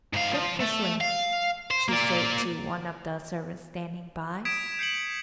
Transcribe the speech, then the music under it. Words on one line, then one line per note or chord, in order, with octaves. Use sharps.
"Get the swing," she said to one of the servants standing by.
G#2 F5
F3
A3
F5
C5
A#3 D5
D#6 G#6 B6 D7 E7
G6 C7 C#7 E7 F#7